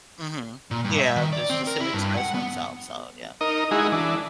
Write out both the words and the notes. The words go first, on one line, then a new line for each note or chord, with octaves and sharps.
Mhm. Yeah, this is just him expressing himself, so yeah.
A#2
G2
E5
D#3
D5
C4
A#4
E4
G2
F#5
B3
D#4 A#4 D#5
G#3 D#4 E4 F#4 G#4
E3 D4